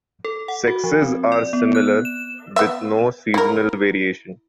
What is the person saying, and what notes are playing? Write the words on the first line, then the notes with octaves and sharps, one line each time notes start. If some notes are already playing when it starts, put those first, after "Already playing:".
Sexes are similar, with no seasonal variation.
A4
F#5
F#4
F3
C4
D5
B3
F#6
E7
B3 E5
E4 A#4